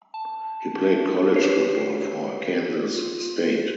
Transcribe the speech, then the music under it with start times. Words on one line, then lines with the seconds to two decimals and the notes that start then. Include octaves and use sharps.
He played college football for Arkansas State.
0.14 A5
1.34 G4 B4 C#5 C7
2.89 F4